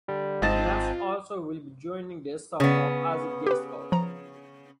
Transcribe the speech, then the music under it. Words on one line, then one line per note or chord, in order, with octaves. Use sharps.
Nas also will be joining the startup as a guest coach.
D3 G3
G#1 G#2 C4 F4 D#5 A5 A6
C#3 B3 C#4
G4 B4
F3 A#5